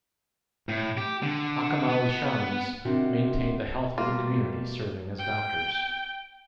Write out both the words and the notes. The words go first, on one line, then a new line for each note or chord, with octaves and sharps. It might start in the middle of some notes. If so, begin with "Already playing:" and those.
Achomawi shamans maintained the health of the community, serving as doctors.
A2
G4
D3
B3
C3 D#3 D4 F#4
B2 G3 A3 A#3 F4 G4
G5